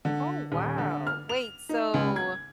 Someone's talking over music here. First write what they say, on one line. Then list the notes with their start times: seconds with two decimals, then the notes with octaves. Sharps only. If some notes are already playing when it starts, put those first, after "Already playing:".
Oh, wow, wait, so,
0.05 D3
0.52 D#1
0.78 D3
1.07 F6
1.29 F7
1.69 D#4
1.94 C#2
2.16 G#6